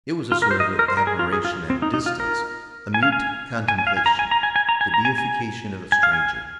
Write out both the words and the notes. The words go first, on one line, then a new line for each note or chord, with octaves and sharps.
It was a sort of admiration at a distance, a mute contemplation, the deification of a stranger.
F4
A#4
C5
D#5
A#4
C5
A#4
G#4
F4
G#4
F4
C4
D#4
D#4
F4
A#4
G#5
F5
G#5
G#5
G#5
F5
G#5
A#5
G#5
A#5
G#5
G#5
A#5
G#5
A#5
G#5
G#5
G#5
F5
G#5